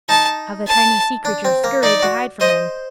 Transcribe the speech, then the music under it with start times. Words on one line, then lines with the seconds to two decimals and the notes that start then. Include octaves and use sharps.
How the tiny sea creatures scurried to hide from him.
0.09 D#4 A5
0.67 A5
1.25 D4
1.45 C4
1.64 A#3
1.83 D#4 D5
2.02 F#4
2.41 C5 D#5